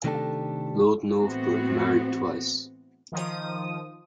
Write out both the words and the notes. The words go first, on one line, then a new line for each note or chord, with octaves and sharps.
Lord Northbrook married twice.
C3 D#3 A3 D4 G4 A4
A2 E3 B3 C4 F#4
D#3 F3 D#6